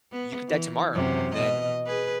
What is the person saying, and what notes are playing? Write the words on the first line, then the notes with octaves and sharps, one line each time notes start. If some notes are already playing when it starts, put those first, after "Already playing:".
you could die tomorrow, and then
B3
E3
F#2 C3
B2 D#5
G#4 B4